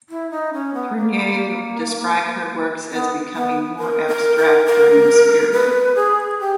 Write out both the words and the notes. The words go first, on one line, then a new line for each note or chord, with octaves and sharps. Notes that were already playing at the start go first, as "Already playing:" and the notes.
Turnier described her works as becoming more abstract during this period.
E4
D#4
C#4
B3
A#3
B3
B3
A#4
A#4
A#4
A#4
B4
G#4
G4